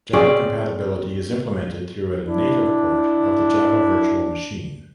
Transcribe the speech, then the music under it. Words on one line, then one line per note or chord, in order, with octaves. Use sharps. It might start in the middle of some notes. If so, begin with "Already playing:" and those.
Java compatibility is implemented through a native port of the Java virtual machine.
C4 C#4 G#4 D5
D4 E4